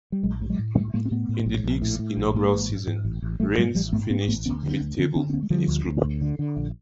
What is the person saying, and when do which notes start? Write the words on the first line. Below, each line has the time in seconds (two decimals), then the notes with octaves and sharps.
In the league's inaugural season, Rennes finished mid-table in its group.
0.12 G3
0.23 A#1 F#3 G#3
0.41 A2
0.50 F#3 G#3
0.59 A2
0.76 A2 G3 A3
0.94 A2 G#3 A#3
1.05 C4
1.11 A2 A3 B3
1.29 A2
1.46 A#1
1.64 A#1
1.82 A2
1.99 A2
2.17 A#1
2.34 G#2 G#3 A#3
2.52 A1
2.70 G#2
2.87 G#2
3.05 A1
3.22 A1
3.40 A1 G3 A3
3.58 G#2 F#3 G#3
3.75 A1 F3 G3
3.93 G#2 A3 B3
4.10 G#2 A#3 C4
4.28 A1 A3 B3
4.45 D2 B3 C#4
4.63 D3
4.71 C4 D4
4.81 D2
4.98 D3 B3 C#4
5.15 D3 C4 D4
5.30 C4
5.33 D2 B3 C#4
5.43 G#3
5.50 D3 F3 G3
5.68 D2
5.86 D2
6.04 D2
6.21 D3
6.39 D3
6.57 A#1